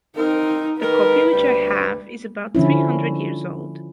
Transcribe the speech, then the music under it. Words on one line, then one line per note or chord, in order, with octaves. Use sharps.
The copy which I have is about three hundred years old.
C4 D#4 A#4
D#3 G#3 A#4 B4
D2 C3 G3
D3 F3 C#4 E4